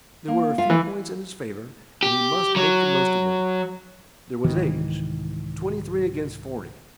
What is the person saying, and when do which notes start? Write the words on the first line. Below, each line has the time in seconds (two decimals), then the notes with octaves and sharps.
There were a few points in his favour, and he must make the most of them. There was age--twenty-three against forty.
0.28 A#3
0.58 F4 E5 F5
0.70 E3
2.03 G4
2.56 F#3
4.44 C2 G#2 D#3 E3